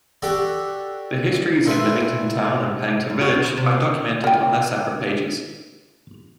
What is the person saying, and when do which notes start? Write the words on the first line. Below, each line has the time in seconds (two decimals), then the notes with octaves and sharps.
The histories of Lymington Town and Pennington village are documented on their separate pages.
0.22 D4 F#4 G4 A4 D5
1.66 A#2 F4 A4 B4 E5
3.10 F#2
3.21 F#4
3.34 D2
3.57 C3
4.24 A#4 G5